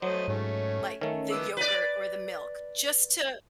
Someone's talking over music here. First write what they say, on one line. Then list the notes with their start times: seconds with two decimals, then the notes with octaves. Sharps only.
like, the yogurt or the milk just to,
0.02 F#3 A3 C5 D#5
0.28 G#2 A3 C#4
1.01 D#3 A3 C#4
1.31 B3 D6 E6
1.57 B4 D5